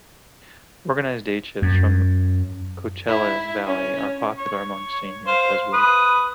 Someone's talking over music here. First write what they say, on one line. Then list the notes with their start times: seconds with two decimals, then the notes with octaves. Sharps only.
Organized day trips from the Coachella Valley are popular among seniors as well.
1.62 F#2
3.09 E4
3.67 C#4
4.37 C#5
5.27 C5 F5
5.73 B4 D#6